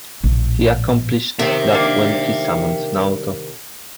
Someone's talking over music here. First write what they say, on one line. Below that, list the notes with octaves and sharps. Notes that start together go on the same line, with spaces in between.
He accomplished that when he summoned Naoto.
A#1 A2
C3 D#3 E5 G5
A#3 D4